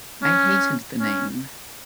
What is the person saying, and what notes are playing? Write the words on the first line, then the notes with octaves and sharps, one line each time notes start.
I hated the name.
C#4
C#4